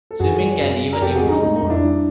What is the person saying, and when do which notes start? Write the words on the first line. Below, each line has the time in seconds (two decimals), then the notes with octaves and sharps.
Swimming can even improve mood.
0.11 A4
0.20 F#2 F#4 G#4
0.41 G3
0.61 F#2
0.82 F#2
0.93 A#4
1.02 F2 G4 A4
1.15 F#4 G#4
1.23 G#3
1.29 D#4
1.43 G#3 D#4
1.56 D#4
1.63 F2
1.70 D4 E4
1.84 G3